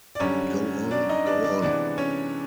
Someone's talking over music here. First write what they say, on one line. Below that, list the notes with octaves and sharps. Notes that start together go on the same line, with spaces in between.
Go on, go on!
D5
F#2 D3 G3 C#4 C#5
D4 D5
D#4 D#5
D4 D5
D4 D5
C3 E3 G#3 B3 D4 D5
C#4 C#5